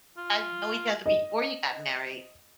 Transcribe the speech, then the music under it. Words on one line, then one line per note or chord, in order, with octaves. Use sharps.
guys know each other before you got married?
F4
D#5